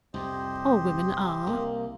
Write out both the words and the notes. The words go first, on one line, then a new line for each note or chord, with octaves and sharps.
All women are.
C2 F2 G4 C5 D#5
C2 A#3